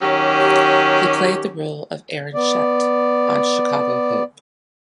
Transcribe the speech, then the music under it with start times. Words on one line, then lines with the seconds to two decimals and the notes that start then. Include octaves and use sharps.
He played the role of Aaron Shutt on "Chicago Hope".
0.01 D#3 F#3 C#4 G4
2.34 B3 D5